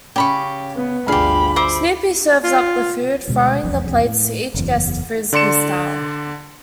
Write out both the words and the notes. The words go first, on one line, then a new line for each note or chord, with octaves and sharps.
Snoopy serves up the food, throwing the plates to each guest Frisbee-style.
C#3 C#4 G4 B5 C#6
B3
G1 D2 D4 F4 G4 G#4 F5 B5
C5 E5 D6
F4
D2 B2 G#3
E1 B1 F2
A2
F#1 E2
D3 D5 C6 C#7 E7